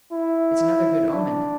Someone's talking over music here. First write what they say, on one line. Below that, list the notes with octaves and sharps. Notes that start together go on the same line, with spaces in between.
It's another good omen.
E4
D4